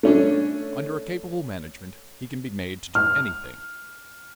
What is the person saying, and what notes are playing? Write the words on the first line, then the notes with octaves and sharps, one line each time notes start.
Under a capable management he can be made to do anything.
A3 C#4 D4
F6